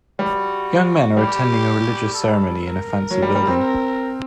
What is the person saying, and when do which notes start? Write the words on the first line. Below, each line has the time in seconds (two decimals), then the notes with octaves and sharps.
Young men are attending a religious ceremony in a fancy building.
0.19 G3 F#4
1.17 G3 G4
2.14 A4
2.62 A#4
3.11 F#3
3.22 G3
3.35 G3
3.47 C4
3.59 A#4